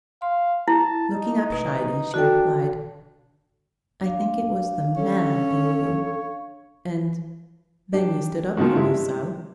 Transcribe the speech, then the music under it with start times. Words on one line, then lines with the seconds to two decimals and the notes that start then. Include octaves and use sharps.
Looking up shyly, she replied, "I think it was the MAN in you--and--then you stood up for me so."
0.22 F5 C6
0.68 E4 A5
1.15 D#4
1.52 B2
2.14 D4 F#4 A4 G5
4.01 D4 F5
4.97 C#4 A4 C#5
7.93 D4 G4
8.57 G#2 B2 D#3 F3
8.75 G2 C3 G#3 E4